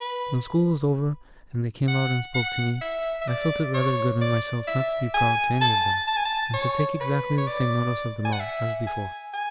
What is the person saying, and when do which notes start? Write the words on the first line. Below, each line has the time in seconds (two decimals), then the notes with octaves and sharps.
When school was over, and they came out and spoke to me, I felt it rather good in myself not to be proud to any of them, and to take exactly the same notice of them all, as before.
0.01 B4
1.88 F#5
2.35 F#5
2.81 E5
3.22 E5
3.28 D5
3.74 C#5
4.21 D5
4.68 E5
5.14 G#5
5.61 A5
6.08 A5
6.17 G#5
6.25 A5
6.54 C#5
7.01 B4
7.38 C#5
7.48 D5
8.25 G#5
8.32 F#5
8.41 E5
8.87 G#5
9.34 G#5